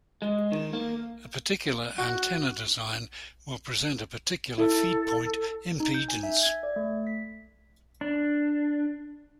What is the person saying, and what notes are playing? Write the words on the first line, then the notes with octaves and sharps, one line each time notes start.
A particular antenna design will present a particular feedpoint impedance.
G#3
D#3
A#3
F#4
E4 A4
D#4
G6
G#5
E5
G#6
D5
A3
B6
D4